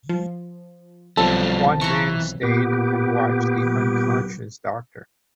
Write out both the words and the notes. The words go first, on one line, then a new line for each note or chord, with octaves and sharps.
One man stayed and watched the unconscious doctor.
F3
B1 F3 G3 C4 F4 A4 A5
E3 A#5 C#6
A#2 B3 G4